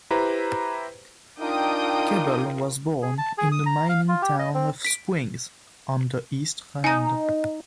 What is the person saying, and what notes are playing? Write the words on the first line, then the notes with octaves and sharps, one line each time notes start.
Kebble was born in the mining town of Springs, on the East Rand.
E4 G4 B4 C5 A#5
D4 D#4 F4 A#4 G5 D#6 G6
G#4
A5
G#4
D#6
A#5
F5
F4
G4
D#5
C4
B6 D7
D#4 G#5 A#5